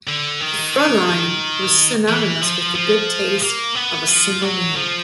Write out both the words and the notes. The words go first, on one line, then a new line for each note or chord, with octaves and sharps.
The "Frua line" was synonymous with the good taste of a single man.
D3
D#3
E3
F3
F3
A#3
B3
F3
F#3
F3